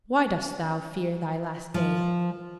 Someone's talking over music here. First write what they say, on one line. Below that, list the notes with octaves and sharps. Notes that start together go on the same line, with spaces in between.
Why dost thou fear thy last day?
F3